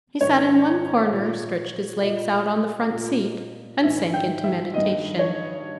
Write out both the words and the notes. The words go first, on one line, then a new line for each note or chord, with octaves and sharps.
He sat in one corner, stretched his legs out on the front seat, and sank into meditation.
G#2 D#3 C#5
A#2
A#2 D#5
A#2
G#2 D#3 E5
G5
E5
G2 D#3 D#5
C#5